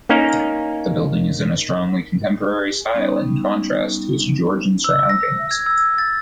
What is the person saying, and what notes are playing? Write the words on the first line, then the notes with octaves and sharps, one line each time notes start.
The building is in a strongly contemporary style in contrast to its Georgian surroundings.
A#3 C#4 D#4 A#4
G3 B3 C#4 D#4
E6
A#6
G#6
E6
A6